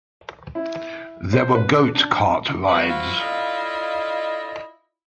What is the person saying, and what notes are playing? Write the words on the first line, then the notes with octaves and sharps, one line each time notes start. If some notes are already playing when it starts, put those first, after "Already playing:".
There were goat cart rides.
E4
C5
B4
D4
F3 G3 A3 F#4 B4
E4 F4 F5
D4 A4 D#5